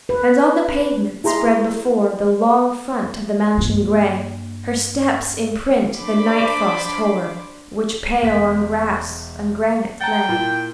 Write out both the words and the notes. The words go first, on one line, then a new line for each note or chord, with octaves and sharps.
And on the pavement spread before The long front of the mansion grey, Her steps imprint the night-frost hoar, Which pale on grass and granite lay.
B4
E4 G#4 A#5 C6
G2 A#3
D4 C5 B5 D6
E1 B6
F#5 G5 A5 A#5 A6
A#2 E4 F4